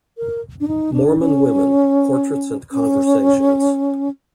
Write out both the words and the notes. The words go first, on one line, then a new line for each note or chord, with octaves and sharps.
Mormon Women: Portraits and Conversations.
A#4
D4
D#4
D4
C#4
C#4